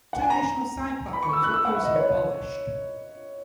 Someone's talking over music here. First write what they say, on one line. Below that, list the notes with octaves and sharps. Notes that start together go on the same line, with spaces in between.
Two additional side platforms were also abolished.
F#5
G#5
A#5
B5
C#6
E6
F#6
E6
F#5
E5
D#5
C#5